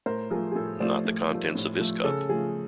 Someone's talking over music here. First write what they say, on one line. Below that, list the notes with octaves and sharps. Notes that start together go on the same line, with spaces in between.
Not the contents of this cup.
A2 A#4 C5
F3 A3 G#4 A#4
G#4
A2 A4
F3 A3 C5 D5
A2
F3 A3
A2
F3 A3
C#3 A4
F3 A3 G#4